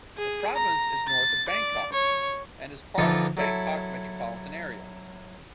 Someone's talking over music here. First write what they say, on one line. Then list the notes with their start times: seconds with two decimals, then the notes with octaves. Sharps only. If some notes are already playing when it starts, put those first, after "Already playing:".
The province is north of Bangkok and is part of the Bangkok metropolitan area.
0.17 G#4
0.55 A#5
1.07 A6
1.49 D5
1.93 C#5
2.98 D3 E3 F3 D#4 F4 A4
3.37 F#3 E4 A4